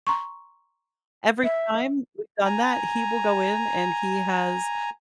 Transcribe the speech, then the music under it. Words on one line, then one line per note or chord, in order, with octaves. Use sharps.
Every time we've done that, he will go in and he has
A#5 C6 C#6
E5
G#5 A#5